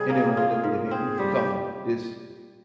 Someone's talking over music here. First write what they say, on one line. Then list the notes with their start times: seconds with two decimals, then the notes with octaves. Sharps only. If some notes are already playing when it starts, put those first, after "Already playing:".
And then on them and then you become this,
Already playing: C3 G3 G#4
0.10 A#3
0.37 F4
0.64 G#2 A#4
0.91 C4 G#4
1.18 G3 G4